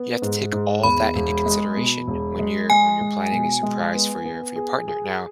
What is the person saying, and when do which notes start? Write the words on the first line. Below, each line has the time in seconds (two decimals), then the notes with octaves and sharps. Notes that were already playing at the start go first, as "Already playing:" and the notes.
You have to take all that into consideration when you're when you're planning a surprise for your for your partner. Now,
Already playing: B3
0.22 G#2
0.52 G#2
0.83 E2 B5
1.15 E1
1.46 G#3
1.77 B2
2.07 E1
2.39 G#3
2.70 G#3 G#5
3.01 G#3
3.32 B2
3.63 G#3
3.94 B3
4.25 B3
4.56 G#4
4.88 G#4